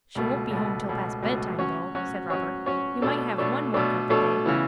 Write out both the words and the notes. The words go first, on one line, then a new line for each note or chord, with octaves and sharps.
'She won't be home till past bedtime, though,' said Robert. 'We might have one more carpet-day.'
C#2 B2 A3
C#2 B2 A3
C#2 B2 A3
C#2 B2 A3
F#3 C#4 F#4 C#5
F#3 C#4 F#4 C#5
F#3 C#4 F#4 C#5
F#3 C#4 F#4 C#5
B2 A3 D4 A4 C#5
B2 A3 D4 A4 C#5
B2 A3 D4 A4 C#5
B2 A3 D4 A4 C#5
C#3 E3 B3 E4